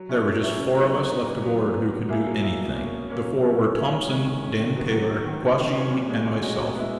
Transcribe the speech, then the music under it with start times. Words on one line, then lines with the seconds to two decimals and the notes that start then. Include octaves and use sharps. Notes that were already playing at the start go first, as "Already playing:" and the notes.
There were just four of us left aboard who could do anything. The four were Thompson, Dan Taylor, Quashee, and myself.
Already playing: F#3
0.09 C#4 E4 G#4
0.26 F#3
0.43 C#4 E4 G#4
0.59 C#3
0.77 F#3 B3 D#4
0.93 C#3
1.10 F#3 B3 D#4
1.26 A#2
1.42 F#3 B3
1.60 A#2
1.76 F#3 B3
1.92 F#3
2.09 A#3 E4 G#4
2.26 F#3
2.42 A#3 E4 G#4
2.60 B2
2.76 A#3 C#4
2.92 B2
3.09 A#3 C#4
3.25 F#3
3.42 C#4 E4
3.59 F#3
3.75 C#4 E4
3.93 D#3
4.08 G#3 C#4
4.25 D#3
4.43 G#3 C#4
4.58 D#3
4.76 F#3 B3 F#4
4.91 D#3
5.09 F#3 B3 F#4
5.26 D#3
5.42 F#3 C#4
5.59 D#3
5.75 F#3 C#4
5.92 A#2
6.09 G#3 C#4 F#4
6.25 A#2
6.42 G#3 C#4 F#4
6.59 B2
6.76 G#3 B3 E4